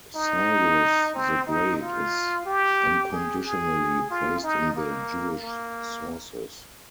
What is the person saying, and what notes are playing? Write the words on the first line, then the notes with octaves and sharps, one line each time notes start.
Cyrus the Great is unconditionally praised in the Jewish sources.
D#4
C4
D#4
F4
G4
G#4
G#4
F4
D#4
A#3
A#3